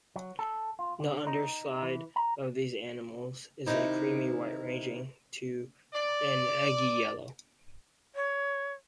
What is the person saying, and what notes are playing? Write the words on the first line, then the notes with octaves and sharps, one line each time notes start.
The underside of these animals is a creamy white ranging to an eggy yellow.
F#3
A4
F4
D3
D#4
E3
A#5
C3 D#3 D#4 E4
D5
C#5